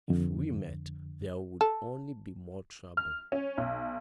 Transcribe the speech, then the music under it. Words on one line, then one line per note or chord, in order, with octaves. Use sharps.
If we met, there would only be more trouble.
F2 D3
A4
F6
C#4
B1